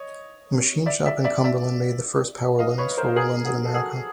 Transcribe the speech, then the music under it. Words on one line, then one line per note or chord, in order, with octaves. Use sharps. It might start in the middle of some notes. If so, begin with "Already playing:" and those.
A machine shop in Cumberland made the first power looms for woolens in America.
Already playing: C#5 D#5
D5 E5
D5 E5
D5 E5
D5 E5
D#5 F5
B4 C#5
B4
A#4 C5
G#4 A#4
F#4 G#4
A4
F#4 G#4